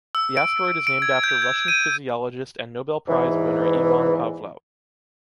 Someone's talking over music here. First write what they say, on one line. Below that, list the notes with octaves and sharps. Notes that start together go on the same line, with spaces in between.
The asteroid is named after Russian physiologist and Nobel prize winner Iwan Pawlow.
E6
D7
D7
G#6
G6
G#6
D#7
E2 G#2 E3